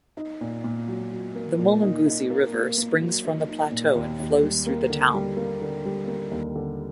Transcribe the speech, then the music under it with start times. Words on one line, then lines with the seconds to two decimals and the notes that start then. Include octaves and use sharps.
The "Mulunguzi River" springs from the plateau and flows through the town.
0.17 D#4
0.41 A#2
0.64 A#2
0.88 F#3
1.12 F#3
1.35 A#3
1.59 A#2
1.83 D#4
2.07 D#4
2.30 A#3
2.54 A#3
2.78 A#3
3.00 F#3
3.25 D#4
3.49 D#4
3.71 A#2
3.95 D#2
4.20 D#2
4.43 G3
4.67 A#3
4.90 D3
5.14 G3
5.37 A#3
5.62 D3
5.85 G3
6.08 A#3
6.31 D#2
6.56 D3